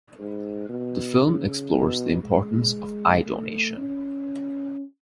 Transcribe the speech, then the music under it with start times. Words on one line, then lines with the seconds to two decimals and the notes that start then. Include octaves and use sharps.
The film explores the importance of eye donation.
0.19 G#2
0.69 B2
1.21 C#3
1.73 B2
2.23 G#3
3.26 A3
3.77 C#4